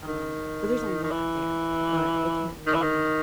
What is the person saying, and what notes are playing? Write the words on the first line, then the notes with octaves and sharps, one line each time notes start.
Um, so there's a lot there, but, ultimately,
D#3
D#3
E3
D#3
E3
D#3